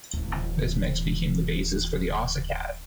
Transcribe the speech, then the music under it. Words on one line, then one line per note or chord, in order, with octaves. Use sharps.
This mix became the basis for the Ocicat.
D1 E3